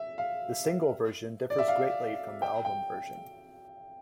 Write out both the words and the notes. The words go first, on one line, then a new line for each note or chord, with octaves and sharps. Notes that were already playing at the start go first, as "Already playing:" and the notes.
The single version differs greatly from the album version.
Already playing: E5
F5
D5
E5
F5
G5
G5